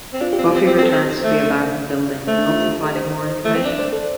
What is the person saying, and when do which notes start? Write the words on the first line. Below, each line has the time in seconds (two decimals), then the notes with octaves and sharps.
Buffy returns to the abandoned building in hopes of finding more information.
0.13 C4
0.21 D4 F4
0.33 G4
0.38 C4
0.45 F4
0.55 C4
0.67 C4
0.78 C4
0.83 A4
0.89 C4 C5
1.24 A3
1.59 D5
2.27 A3 C5
2.38 D4
2.50 F4
2.62 G4
2.84 A4
2.96 C5
3.45 A3
3.55 C4
3.65 D4 D5
3.79 C5
3.92 A4